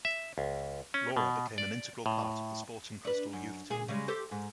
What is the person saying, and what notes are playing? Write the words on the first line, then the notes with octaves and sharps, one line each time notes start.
Lora became an integral part of the Sporting Cristal youth team.
E5
C#2
C#4
B2
D5
A2
D4 B4
F#2
A#2 G#4
C#3 G3 G#3
G4 A4 C5
G#2